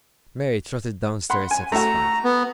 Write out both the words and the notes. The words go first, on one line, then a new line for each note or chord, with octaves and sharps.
Mary trotted down stairs satisfied.
F#5 B5 C6
G#5
A3 F#4 A#5
B3